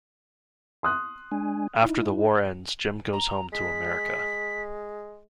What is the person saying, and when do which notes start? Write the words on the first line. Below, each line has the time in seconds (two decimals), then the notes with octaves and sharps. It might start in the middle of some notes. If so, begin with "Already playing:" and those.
After the war ends, Jim goes home to America.
0.83 C6 D#6 F#6
1.31 G#3 D4 G#5
1.82 D#4 E4
3.13 A#5
3.53 G#3 B6